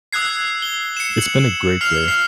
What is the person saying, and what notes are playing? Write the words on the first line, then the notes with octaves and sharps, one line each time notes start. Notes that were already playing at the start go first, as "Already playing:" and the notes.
It's been a great day.
D#6 E6 F#6 G#6 C7
G7
C#7 E7
F#7
F6 C7 F7
C7